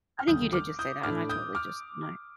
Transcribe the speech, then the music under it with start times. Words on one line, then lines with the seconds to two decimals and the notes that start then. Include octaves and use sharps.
I think you did just say that, and I totally just my
0.19 F6
0.28 F1 D#2 D3 G3 D#6 G6
0.53 D6 F6
0.79 D#6 G6
1.03 A2 A3 D4 D6 F6
1.29 D#6 G6
1.55 D6 F6